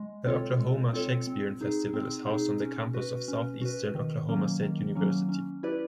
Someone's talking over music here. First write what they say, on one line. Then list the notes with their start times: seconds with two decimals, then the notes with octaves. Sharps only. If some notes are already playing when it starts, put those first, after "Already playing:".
The Oklahoma Shakespearean Festival is housed on the campus of Southeastern Oklahoma State University.
Already playing: G#3
0.27 C4 F4 A4 C#5
0.60 G#3
0.93 C4 F4 A4 C#5
1.27 C4
1.61 D#4 G#4
1.94 C4
2.27 D#4 G#4
2.61 C#4
2.94 F#4 B4
3.28 C#4
3.61 F#4 B4
3.95 D#3
4.29 F#3 A#3 C#4
4.62 D#3
4.95 F#3 A#3 C#4
5.29 C#4
5.63 E4 G4 B4 D5